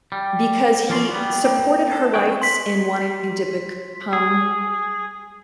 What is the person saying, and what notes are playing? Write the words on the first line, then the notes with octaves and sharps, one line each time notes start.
because he supported her rights in wanting to become
G3
F3 A#3 C#4 D5 A#5 C6
G3 B3
A#3 C4 G4
A4
E2 D4 G#4 C#5 F#5 G5
C6 B6
G#4